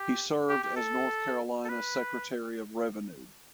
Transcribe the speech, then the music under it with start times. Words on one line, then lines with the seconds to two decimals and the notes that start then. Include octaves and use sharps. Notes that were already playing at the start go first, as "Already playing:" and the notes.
He served as North Carolina Secretary of Revenue.
Already playing: G4
0.49 G4
0.63 G4
0.76 A4
1.65 A4
1.69 B4